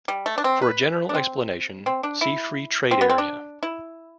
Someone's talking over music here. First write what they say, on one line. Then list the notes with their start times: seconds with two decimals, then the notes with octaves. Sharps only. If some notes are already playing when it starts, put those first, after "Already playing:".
For a general explanation, see free-trade area.
0.08 G3
0.26 A3
0.38 D4
0.44 C4
0.62 B4
1.09 D4
1.14 C4
1.86 C4
2.03 D4
2.21 E4
2.91 C4
3.01 B3
3.10 C4
3.18 D4
3.63 E4